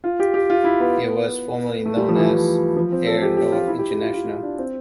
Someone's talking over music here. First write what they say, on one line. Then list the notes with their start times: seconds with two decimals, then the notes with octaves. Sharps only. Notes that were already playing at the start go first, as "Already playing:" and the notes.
It was formerly known as Air North International.
0.04 F4
0.20 G4
0.34 G4
0.50 F4
0.64 E4
0.80 B3
1.86 A3
1.97 G3
2.09 F3
2.15 E3
2.20 F3
2.31 E3
2.76 F3
2.92 C4
3.07 A4
3.22 G4
3.37 G4
3.52 F4
3.68 E4
3.79 G4
3.91 G4
4.01 F4
4.13 F4
4.43 D4
4.58 C4